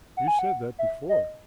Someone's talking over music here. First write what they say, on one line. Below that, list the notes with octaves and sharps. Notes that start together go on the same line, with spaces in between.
"You said that before."
F#5
G#5
F#5
E5
D#5